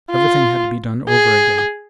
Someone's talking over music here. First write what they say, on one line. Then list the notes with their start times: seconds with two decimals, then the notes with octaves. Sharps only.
Everything had to be done over again.
0.11 F4
1.09 G#4